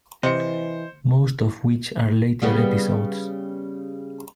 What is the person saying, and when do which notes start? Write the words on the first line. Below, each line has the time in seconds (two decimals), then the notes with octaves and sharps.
Most of which are later episodes.
0.23 C3 E3 C5 D#5 C#7
2.42 C#3 G3 B3